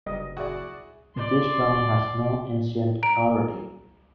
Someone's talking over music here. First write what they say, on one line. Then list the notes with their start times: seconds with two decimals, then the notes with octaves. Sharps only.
This term has no ancient authority.
0.06 F#1 G3 D#5
0.37 E4 F#4 G#4 D5 G#5
1.16 D5 C6
3.03 A#5 D7